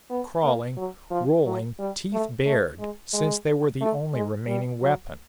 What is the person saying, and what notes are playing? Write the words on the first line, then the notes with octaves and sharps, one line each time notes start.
Crawling, rolling, teeth bared, since they were the only remaining weapon.
B3
A#3
F#3
F3
F#3
G3
A3
A3
G#3
G#3
A3
G#3
G3
F#3